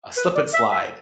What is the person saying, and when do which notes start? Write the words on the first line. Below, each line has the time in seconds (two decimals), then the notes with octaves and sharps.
a Slip 'N Slide
0.17 B4
0.36 D5
0.54 E5
0.72 E5